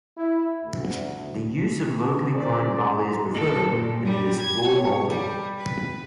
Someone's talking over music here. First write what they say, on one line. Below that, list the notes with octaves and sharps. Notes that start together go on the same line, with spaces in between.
The use of locally grown barley is preferred, and it is floor-malted.
E4
D2
A#3 C#4 G#4 C5 D5
A4
A#2
G3
G#6
C#5
G3
B4